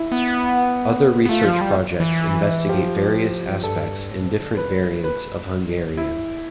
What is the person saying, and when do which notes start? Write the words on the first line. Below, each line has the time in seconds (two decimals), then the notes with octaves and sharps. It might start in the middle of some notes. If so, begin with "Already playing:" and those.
Other research projects investigate various aspects and different variants of Hungarian.
Already playing: E4
0.12 B3
1.25 B3
1.29 A3 F4
1.45 F3
1.61 G3
2.00 E3
2.69 F3 G4
3.63 G2 A4
4.10 A2
4.26 C3
4.41 D3
4.57 F3 B4
4.69 G3
4.81 B3
4.92 A3
5.04 B4
5.51 G3
5.97 E4